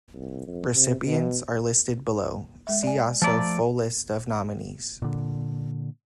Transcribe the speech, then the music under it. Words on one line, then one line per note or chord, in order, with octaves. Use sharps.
Recipients are listed below, see also full list of nominees.
C2
F2
C3
B2
G#3 E5
D5 G#5
F3 A3 D5 A5 A#5
A#2 D3